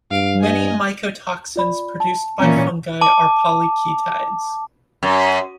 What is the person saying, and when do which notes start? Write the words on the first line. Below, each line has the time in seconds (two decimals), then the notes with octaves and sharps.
Many mycotoxins produced by fungi are polyketides.
0.11 G2 F5 D7
0.41 D#5 G#5
1.56 F4 D5 B5
2.00 A5
2.39 A#2 E3 C#4 A#5
3.01 A5 D6
5.03 F#2